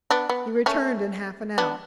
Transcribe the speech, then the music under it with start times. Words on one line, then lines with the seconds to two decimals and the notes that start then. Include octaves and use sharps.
He returned in half an hour.
0.10 B3 D4
0.29 B3
0.66 A3 C#4
1.58 B3 D4